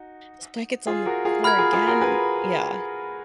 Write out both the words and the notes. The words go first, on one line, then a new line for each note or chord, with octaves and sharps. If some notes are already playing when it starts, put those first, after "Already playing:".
"This blanket's on the floor again?" Yeah.
Already playing: D#4 F#4
F4 G#4
F#4 A#4
F4 G#4
F#4 A#4 B5 F6 G#6
F4 G#4
F4 G#4
F#4 A#4
G#4 B4